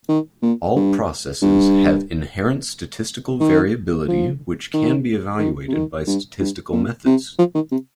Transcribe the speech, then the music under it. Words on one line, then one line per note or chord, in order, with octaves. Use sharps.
All processes have inherent statistical variability which can be evaluated by statistical methods.
D#3
A#2
G2
G2
D#3
F3
D#3
D#3
C3
D#3
G2
G2
A#2
C3
F3
D#3
C3